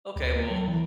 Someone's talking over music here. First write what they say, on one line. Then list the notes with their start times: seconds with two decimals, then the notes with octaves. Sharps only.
Okay, well,
0.16 D2
0.36 A#3
0.51 F#3
0.68 E3